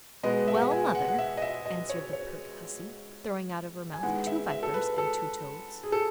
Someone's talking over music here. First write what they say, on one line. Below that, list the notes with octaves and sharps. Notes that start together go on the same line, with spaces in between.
"Well, mother?" answered the pert hussey, throwing out of her mouth two vipers and two toads.
B2 G#3 B3 D#5
E5
F#5
E5
G#5
F#5
F#5
E5
D#5
E5
D#5
C#5
C#5
G#5
D#3 G#3 B3 E4 F#5
E5
E5
A4
B4
A4
G#4
A4